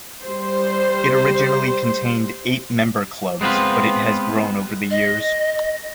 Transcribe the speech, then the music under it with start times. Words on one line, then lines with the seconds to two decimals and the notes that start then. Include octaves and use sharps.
It originally contained eight member clubs, but it has grown over the years.
0.24 G3 C5
3.41 G#3 B3 C4 F4 B4
4.91 D#5